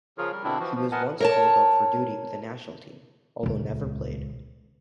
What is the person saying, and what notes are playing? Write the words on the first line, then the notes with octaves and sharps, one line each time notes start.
He was once called up for duty with the national team, although never played.
C#3 F3 F4 G#4 A#4 C#5
G3 A#4
B2 D3 C4 D4 E4
E3 F3 F#4
F3
A#4 B4 D#5 F#5 G#5 A5
A#4 C#5 A5
D#1 C#2